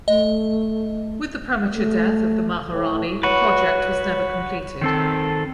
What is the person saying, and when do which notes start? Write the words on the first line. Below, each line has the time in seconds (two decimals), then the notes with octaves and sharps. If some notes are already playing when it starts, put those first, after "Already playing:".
With the premature death of the maharani the project was never completed.
0.08 A3 D#5
1.75 A3
2.72 A2
3.23 F#4 B4 C#5
4.81 D#3 C4 A4